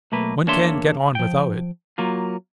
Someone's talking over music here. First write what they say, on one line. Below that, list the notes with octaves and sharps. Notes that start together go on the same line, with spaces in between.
One can't get on without it.
B1 A3 A#3 B4
E2 A#3 D4 C#5 E5 C6
F3 G5
F#3 A#3 F4